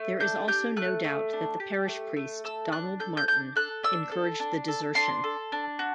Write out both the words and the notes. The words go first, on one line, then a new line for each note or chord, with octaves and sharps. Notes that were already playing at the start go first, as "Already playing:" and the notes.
There is also no doubt that the parish priest, Donald Martin, encouraged the desertion.
Already playing: A3
D4 G6
G4 G6
A3 F#6
A3
D4
G4
A3
A3
A4 E6
D4 F#6
A4 G6
G6
D4 G6
A4 F#6
D4 E6
A4
D4
A4
D4 C6
A4
D4
F#4